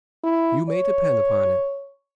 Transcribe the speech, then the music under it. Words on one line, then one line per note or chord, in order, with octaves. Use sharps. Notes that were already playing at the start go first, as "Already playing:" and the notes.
"You may depend upon it."
E4
C#5